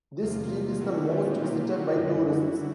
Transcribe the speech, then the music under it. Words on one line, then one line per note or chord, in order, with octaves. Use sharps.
This street is the most visited by tourists.
E2 C3 F3 A#3 F4
F4
A#2 G3 C4 E4 F#4
F4 G4
B2 F#3 A#3 F4 G4
E4 F#4
F#2 D3 G3